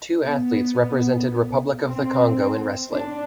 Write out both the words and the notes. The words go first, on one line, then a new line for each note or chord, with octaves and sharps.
Two athletes represented Republic of the Congo in wrestling.
B3
C4
D4